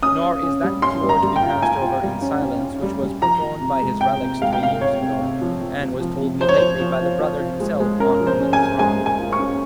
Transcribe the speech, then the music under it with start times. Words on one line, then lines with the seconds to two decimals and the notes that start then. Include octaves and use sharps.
Nor is that cure to be passed over in silence, which was performed by his relics three years ago, and was told me lately by the brother himself, on whom it was wrought.
0.03 C#4 D#6
0.23 F4
0.43 C#4
0.63 G3
0.82 C#4 C6
1.03 G3
1.09 A#5
1.22 G3
1.36 G5
1.43 F4
1.62 F4 G#5
1.82 F4
2.03 G3
2.22 C#4
2.42 C#4
2.61 C#4
2.82 G3
3.02 G3
3.22 F3 A#5
3.42 F3
3.61 C3
3.82 G#3
4.01 C3 G5
4.22 C3
4.42 G#3 F5
4.53 G5
4.62 C3 F5
4.80 C3 C#5
5.01 C3
5.21 C3
5.41 F3
5.61 F3
5.81 C3
6.00 F3
6.20 C3
6.40 F3 C5
6.49 C#5
6.57 F3 C5
6.80 F3
7.00 F4
7.19 F3
7.40 F4
7.60 G#3
7.80 G#3
8.00 C#4 A#4
8.20 F3
8.26 C5
8.40 C#4
8.53 G#5
8.59 C#4
8.79 G#3 G#5
9.00 G#3
9.06 G#5
9.19 F4
9.32 C#6
9.39 C#4